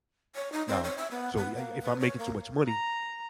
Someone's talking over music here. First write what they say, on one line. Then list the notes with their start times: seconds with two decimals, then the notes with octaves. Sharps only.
now, so you I I if I'm making too much money,
0.35 C#5
0.52 D#4
0.68 C4
0.84 C#5
0.98 E5
1.11 B3
1.37 B3
1.57 A#3
1.82 B4
2.00 C#5
2.19 A#3
2.66 A#5